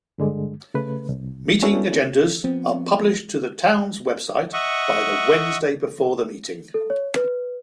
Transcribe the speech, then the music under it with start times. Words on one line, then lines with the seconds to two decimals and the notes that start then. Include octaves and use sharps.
Meeting agendas are published to the Town's website by the Wednesday before the meeting.
0.18 G2 D3 G#3
0.74 C#3 A3 B4
1.09 C2
1.63 B3 C#4 D4 E4 F#4 A4
2.44 F3 B3 C4
4.53 D#5 E5 F#5 C#6
6.74 A4
6.90 C#5
7.16 B4